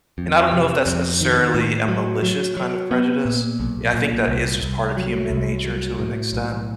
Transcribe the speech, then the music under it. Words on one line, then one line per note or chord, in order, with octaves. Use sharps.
and I don't know if that's necessarily a malicious kind of prejudice. Yeah, I think that is just part of human nature to an extent.
F2
C3
F2
D#3
A2
F#3
F#3
F#3
B3
A#2
B1
A#2
C2
C2
F#3
C2
F#3
A2
B1